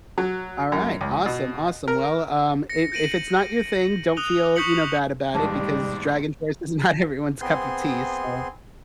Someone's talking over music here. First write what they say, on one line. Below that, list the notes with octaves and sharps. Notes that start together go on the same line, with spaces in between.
Alright, awesome, awesome, well, um, if if it's not your thing, don't feel, you know, bad about it because Dragon's First is not everyone's cup of tea, so
F#3
F#2
C#2
B2
A#4
A#6 C#7
G6 A#6 D7 D#7 F#7
D#6 F#6 D#7 F7 G7
C#6 D#6 G6 B6 C#7 F#7
A1 D#2 G#2 G3 D4 A5
B3 C4 G#4 C6